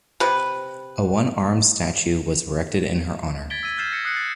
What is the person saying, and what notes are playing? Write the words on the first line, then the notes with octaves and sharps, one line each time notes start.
A one-armed statue was erected in her honor.
C3 B4
G#6 A6 B6 D7 G7
E6 G#6 B6 D#7
F6 G6 A6 C7 E7
A#6 C#7
D#6 F#6 C7 C#7
A6 C7